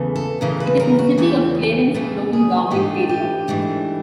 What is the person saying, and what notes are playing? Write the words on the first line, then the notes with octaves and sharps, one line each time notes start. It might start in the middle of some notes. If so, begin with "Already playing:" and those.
It is in the City of Clarence local government area.
Already playing: E2 C#3 E3 A3
A4
E2 C#3 E3 A3 A#4
B4
A#4
F#4
E2 C#3 E3 A3 G4
E2 C#3 E3 A3 A4
G#4
G#2 E3 A3 D4 G4
G4
G#2 E3 A3 D4